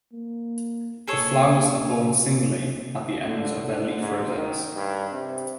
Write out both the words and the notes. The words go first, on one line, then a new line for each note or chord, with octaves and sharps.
The flowers are borne singly at the ends of the leaf rosettes.
A#3
A#3 G#4 A4 C#5
D3
D3
G#2
D#3
G2
C3